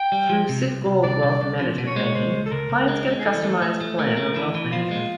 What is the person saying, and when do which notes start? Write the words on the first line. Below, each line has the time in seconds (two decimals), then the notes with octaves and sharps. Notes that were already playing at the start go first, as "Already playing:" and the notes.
Through Citigold Wealth Management Banking, clients get a customized plan on wealth management.
Already playing: G5
0.12 G3
0.30 F3
0.49 C3
0.67 C2
0.86 C2
1.04 C2 D5
1.23 C2
1.41 C2
1.60 F3
1.78 B2
1.87 C#5
1.96 G#3 C5
2.05 C#5
2.15 C#2 C5
2.33 C#2
2.46 A4
2.52 C#2 A#4
2.70 C#2
2.88 G#3
3.07 G#3
3.20 G#4
3.25 E3 A4
3.43 A3
3.62 A3
3.81 A3
3.99 A3 A#4
4.17 A3
4.36 E3
4.55 E3
4.72 F3 F4
4.91 G#3